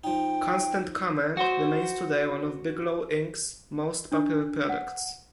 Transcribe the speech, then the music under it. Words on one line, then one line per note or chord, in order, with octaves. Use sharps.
Constant Comment remains today one of Bigelow Inc.'s most popular products.
F3 D#4 G5
F#4 C5
D4
F#5